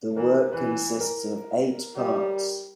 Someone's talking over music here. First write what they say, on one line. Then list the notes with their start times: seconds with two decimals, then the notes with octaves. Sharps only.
The work consists of eight parts.
0.16 E3 A#4
0.53 E3 B4
1.01 A#4
1.96 G3